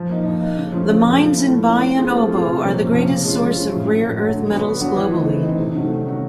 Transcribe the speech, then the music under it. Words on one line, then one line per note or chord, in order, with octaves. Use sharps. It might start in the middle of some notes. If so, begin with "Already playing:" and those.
The mines in Bayan Obo are the greatest source of rare-earth metals globally.
Already playing: F3
A#3 D#4
F3
A#3 D#4
C#3
F3 A3 C#4 F4
C#3
F3 A3 C#4 F4
F3
A3 C#4 E4
F3
A3 C#4 E4
A3
C4 F4 G#4
A3
C4 F4 G#4
C3
F3 A#3 C#4
C3
F3 A#3 C#4
C#3
F3 G#3 C#4 F4
C#3
F3 G#3 C#4 F4
A2
F#3 A3
A2
F#3 A3
D3
F#3 B3 D4 F#4
D3
F#3 B3 D4 F#4
E3
A3 C4 D#4
E3
A3 C4 D#4
C3
D#3 F#3 A3 C#4
C3
D#3 F#3 A3 C#4